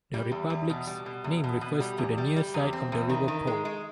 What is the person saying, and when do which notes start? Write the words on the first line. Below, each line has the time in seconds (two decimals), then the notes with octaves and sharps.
The republic's name refers to the "near side" of the River Po.
0.14 G3
0.32 E2
0.50 E2
0.69 B2
0.87 G3
1.06 B2
1.24 E2
1.44 B2
1.61 B2
1.80 G3
1.98 E2
2.18 G3
2.36 G3
2.54 E2
2.73 C4
2.92 E2
3.09 D#3
3.28 D#3
3.47 G#3
3.65 G#3